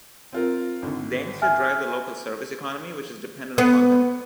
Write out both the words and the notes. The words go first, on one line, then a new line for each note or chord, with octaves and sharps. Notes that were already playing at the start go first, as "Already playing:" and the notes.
They instead drive the local service economy which is dependent upon them.
C4 F4 A#4
G#1 D3
E5 G#5 F6
B3